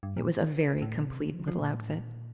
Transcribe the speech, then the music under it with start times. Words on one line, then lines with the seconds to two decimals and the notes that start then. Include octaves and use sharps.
It was a very complete little outfit.
0.03 G2
0.17 A#2
0.82 A2
0.95 A#2
1.07 C3
1.20 D3
1.34 F3
1.48 F3
1.60 A#2
1.79 A2
1.99 A#2